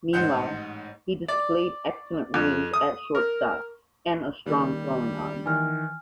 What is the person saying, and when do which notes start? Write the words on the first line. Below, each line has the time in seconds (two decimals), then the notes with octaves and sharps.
Meanwhile, he displayed excellent range at shortstop and a strong throwing arm.
0.13 A1 G#2 D#4 C5 F#5 G6
1.28 D5
2.34 F2
2.74 D#6
3.15 A#4
4.46 D#2 G3
5.46 D#3 E3 G#5 F6